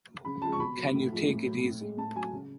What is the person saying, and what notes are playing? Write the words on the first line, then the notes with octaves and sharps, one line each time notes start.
Can you take it easy?
C#3 B5
F3 G#3 A5
C#6
B2 B5
F#3
A2
F3 G#3
A2
F#3
A2
G#3
A2 A5
F#3 G#5
C#3